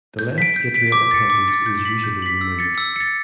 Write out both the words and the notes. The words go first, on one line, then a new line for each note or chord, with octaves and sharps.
The left atrial appendage is usually removed.
G6
B6 D7
G6
B6 D7
D6
A6 C#7
D6
A6 C#7
G6
B6 F#7
G6
B6 F#7
E6
A6 C#7
E6
A6 C#7